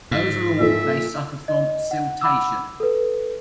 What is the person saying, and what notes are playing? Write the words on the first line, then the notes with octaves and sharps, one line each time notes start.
Overall they suffer from siltation.
G#2
A#2 F3 A4 E5
D#5
F#5
F#5 B5 D6 E6
A4 B4